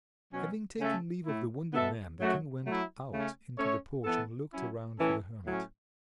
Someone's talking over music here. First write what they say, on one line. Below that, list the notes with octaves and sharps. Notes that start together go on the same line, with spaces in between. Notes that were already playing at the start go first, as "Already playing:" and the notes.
Having taken leave of the wounded man, the King went out into the porch and looked around for the hermit.
B2 F#3 C#4
C#3 A3 C#4 A4 E5
A2 A3 E4
B2 B3 A4 E5
F#2 F#3 A3 F#4
F#3 A3 E4
C#3 A3 C#4
A3 C#4 A4 C#5
E3 B3 A4
F#3 C#4 E4
A2 E3 C#4 A4 E5
A2 F#3 C#4